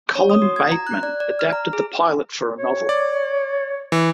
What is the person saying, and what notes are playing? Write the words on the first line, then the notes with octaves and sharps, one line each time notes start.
Colin Bateman adapted the pilot for a novel.
C#5
D#6
F#4
G#6
A#5
F#6
D5
D5
F6
A#5
G#4
C#5
D5
E3